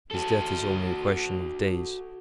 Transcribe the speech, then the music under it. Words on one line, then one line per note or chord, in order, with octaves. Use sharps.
His death is only a question of days.
F#4 A4